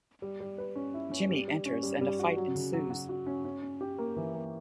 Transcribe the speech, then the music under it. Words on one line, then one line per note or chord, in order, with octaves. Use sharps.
Jimmy enters and a fight ensues.
G3
G3
B4
C#4
E4
C#4
G3
G3
C#4
G3
G3
F#4
F#3
C#3
F#3
F#4
F#4
C#4
C#4
C#4
G4
A#3
E3
A#3